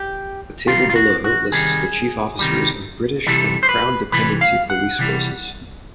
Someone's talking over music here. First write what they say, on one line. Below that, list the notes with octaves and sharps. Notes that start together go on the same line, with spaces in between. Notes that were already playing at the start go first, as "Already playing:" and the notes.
The table below lists the chief officers of British and Crown dependency police forces.
Already playing: G4
C3 D#3 G3 F4
F4
F#4
F#4
C3 D#3 G3 G#4
C3 D#3 G3
C3 E3 G3 A4
C5
B4
C3 E3 G3 B4
F5
F#5
C3 E3 G3